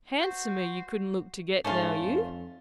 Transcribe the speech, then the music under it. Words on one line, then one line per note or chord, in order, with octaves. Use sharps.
Handsomer you couldn't look to get, now you.
F#4 C5
G#2 A3 C#4 F4
F2